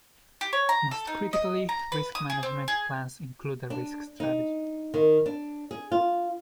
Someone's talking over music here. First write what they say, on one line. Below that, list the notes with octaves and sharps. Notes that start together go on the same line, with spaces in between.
Most critically, risk management plans include a risk strategy.
G4
C#5
A#5
A4
D#4
D#5
A#5
B4
D#6
G#4
C4
G#4
D4
D#4
D#3
D4
G#4
F4